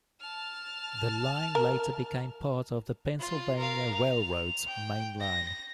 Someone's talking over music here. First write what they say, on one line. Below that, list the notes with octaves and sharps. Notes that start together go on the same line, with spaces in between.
The line later became part of the Pennsylvania Railroad's Main Line.
A5 F6
A#4
F4
A#4 F5
F7
G5
A#6